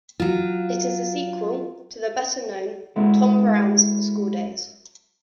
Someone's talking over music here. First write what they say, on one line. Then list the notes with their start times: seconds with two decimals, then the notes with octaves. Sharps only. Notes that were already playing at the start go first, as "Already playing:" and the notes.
It is a sequel to the better-known "Tom Brown's School Days".
0.20 F#3 F4
2.96 G#3 C4 E4 F#4 G#4 A4